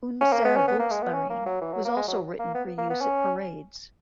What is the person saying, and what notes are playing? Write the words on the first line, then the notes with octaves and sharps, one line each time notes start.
"Unsere Volksmarine" was also written for use at parades.
C#4
A#3
B3
C#4
B3
A#3
G#3
B3
C#4
A#3
F#3
E3
F#3
A#3
G#3
F#3
A#3
B3
A#3
B3
C#4